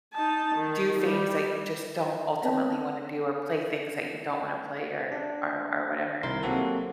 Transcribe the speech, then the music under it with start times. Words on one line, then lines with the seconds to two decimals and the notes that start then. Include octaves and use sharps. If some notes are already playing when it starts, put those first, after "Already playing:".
do things that you just don't ultimately wanna do, or play things that you don't wanna play or or or whatever?
0.13 D#4 A5
0.56 D#3
1.01 G3
2.42 B3 C4 B4 C#5 G5 A5
5.12 D4
6.23 C2 D#3 E4 A#4 C6
6.43 C3 F#3 A#3 C4 F#4 A4